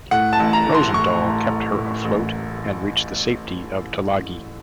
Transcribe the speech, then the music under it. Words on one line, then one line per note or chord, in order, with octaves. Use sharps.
Rosendahl kept her afloat and reached the safety of Tulagi.
A2 F#5
A5
A1
A#5
A2
C6
A2 C#6
A2
A2
A2
A1